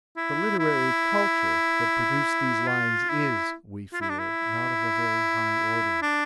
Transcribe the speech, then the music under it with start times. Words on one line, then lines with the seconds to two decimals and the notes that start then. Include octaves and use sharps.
The 'literary culture' that produced these lines is, we fear, not of a very high order.
0.17 E4
0.59 E4
2.67 F4
3.10 E4
3.93 F4
4.01 E4
4.09 D4
4.19 E4
6.02 D4